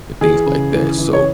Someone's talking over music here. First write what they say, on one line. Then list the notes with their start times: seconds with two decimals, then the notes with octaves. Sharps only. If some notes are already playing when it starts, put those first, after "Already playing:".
and things like that. So,
0.21 E3 G#4
0.46 C#3
0.72 E3
0.98 E3
1.13 C#5